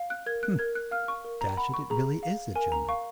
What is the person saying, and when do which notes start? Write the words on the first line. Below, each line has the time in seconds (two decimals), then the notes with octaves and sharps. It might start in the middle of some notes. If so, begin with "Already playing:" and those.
Hm, dash it, it really is a general!
Already playing: F5
0.10 F#6
0.26 A#4 G#6
0.43 F#6
0.59 A#4 G#6
0.75 F#6
0.91 F5 F6
1.08 C#6
1.25 A#4
1.41 A#5
1.57 F#5 B5
1.74 C#6
1.90 G#4 A#5
2.23 F5
2.55 A#4 G#5
2.72 A#5
2.88 F5 C#6